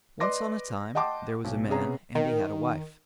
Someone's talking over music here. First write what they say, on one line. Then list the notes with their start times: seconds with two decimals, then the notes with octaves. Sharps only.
Once on a time there was a man, and he had a wife.
0.20 B4 D5 D#5 C6 D6 A#6
0.95 D#5 F#5 G5 A5 C6 D6
1.45 B1
1.68 C3 B3 C#4 G#4 A#5
2.15 D#3